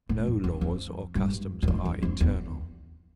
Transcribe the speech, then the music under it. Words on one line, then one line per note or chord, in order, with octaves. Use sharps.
No laws or customs are eternal.
A2
F2
F2
F2
G2
F#2
F2
E2
F2
E2